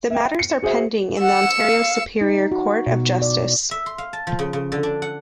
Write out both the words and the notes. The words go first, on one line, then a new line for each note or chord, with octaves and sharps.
The matters are pending in the Ontario Superior Court of Justice.
E5 G5
C#7
F#4 G#4 C5 E5
F#5 E6 C#7
F5
D#4
F#4
B2
D5
E5
C6
F5
A5
F3
C#3
C#3
D3
D4
F#5